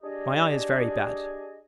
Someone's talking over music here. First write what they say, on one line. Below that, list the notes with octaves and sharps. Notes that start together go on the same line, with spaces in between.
My eye is very bad.
D4 G4 G#4 D#5